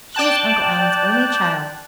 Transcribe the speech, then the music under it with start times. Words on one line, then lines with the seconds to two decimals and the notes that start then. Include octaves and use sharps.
She is Uncle Allan's only child.
0.15 D5 G5 A5 F#6